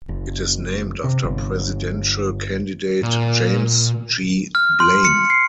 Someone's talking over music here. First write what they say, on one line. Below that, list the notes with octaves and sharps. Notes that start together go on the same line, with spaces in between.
It is named after presidential candidate James G. Blaine.
F#1
C3
G1
A#2
F6
C6
C#7
C7